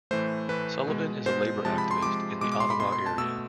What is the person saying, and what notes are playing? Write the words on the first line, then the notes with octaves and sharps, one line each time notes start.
Sullivan is a labour activist in the Ottawa area.
A2 E3 A3 C5
A2 E3 A3 B4
B2 G#3
B2 G#3 C5
C3 F3 G#3 A5
B5
C6
C3 F3 G#3 D6
B2 G#3 D6
D6
C6
B5
B2 G#3 C6
C6
A5
B2 A3 E6